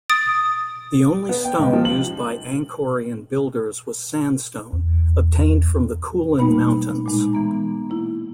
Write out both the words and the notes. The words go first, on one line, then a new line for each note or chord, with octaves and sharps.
The only stone used by Angkorian builders was sandstone, obtained from the Kulen mountains.
D#6 A6 D7
B3
G5
C#2
F3
F#7
E2
B2 G3 A3 A#3 D#4 B5
A#2 G#3 D#4
E3 B3 A#5
A#3 E4